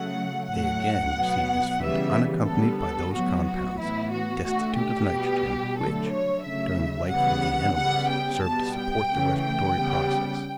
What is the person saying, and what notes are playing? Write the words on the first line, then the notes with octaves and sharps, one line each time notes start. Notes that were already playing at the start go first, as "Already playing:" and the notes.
They, again, receive this food unaccompanied by those compounds, destitute of nitrogen, which, during the life of the animals, served to support the respiratory process.
Already playing: C#3 F#3 A3 F#5
A2 F#3 A3 F#5
B2 F#3 B3
C#3 E3 G3 B3 E5
D3 G3 B3 A4
A4
A2 F#3 B3 F#4
F#4
A2 E3 B3 E4
F#4
D3 A3 F#4
G4
B2 G3 B3
D3 F#3 A3 A4
C#5
C#3 F#3 A3 E5
C#3 E3 G3 B3 F#5
C#3 G3 B3 F#5
G5
B2 G3 B3 A5
G5
C#3 E3 A3
G5
C#3 G3 B3